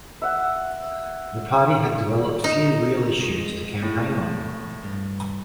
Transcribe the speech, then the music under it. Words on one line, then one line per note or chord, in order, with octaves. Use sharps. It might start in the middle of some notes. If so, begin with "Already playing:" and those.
The party had developed few real issues to campaign on.
E5 F#5
D#4
G#3
A2
G2